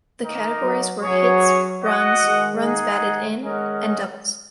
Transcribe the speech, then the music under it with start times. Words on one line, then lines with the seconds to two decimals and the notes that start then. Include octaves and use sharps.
These categories were hits, runs, runs batted in, and doubles.
0.22 D#3 A#3 D#4 A#4
0.62 F#3
1.02 F#3 C#4 G#4 C#5
1.82 F#4 D#5 F#5
2.22 D#3 G#3
2.62 D#4 G#4 D#5 F#5
3.02 D#3 G#3
3.42 D#3 G#3 C#4 A#4 D#5 F#5